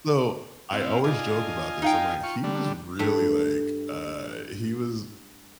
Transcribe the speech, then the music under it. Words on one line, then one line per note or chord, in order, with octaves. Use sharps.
So, I always joke about this, I'm like, "He was really like uh, he was
C4 E4 F5
D4 F4 D#5 G#5
D#4 F5 G5
F4 C#6
D3 G3
G2 A3 E4